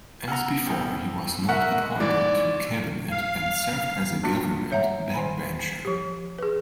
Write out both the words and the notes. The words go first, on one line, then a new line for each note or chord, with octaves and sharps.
As before, he was not appointed to cabinet and served as a government backbencher.
B3 F#5 A#5 E6 F6
C2
A#4 E5 F#5 C#6
G#3
G#2 E3 D5 D6
F5
A#3 D4 F4 F#4
C#5 E5 F#5 A#5
D#3 G#5 B5
F3 G4
G#4 B4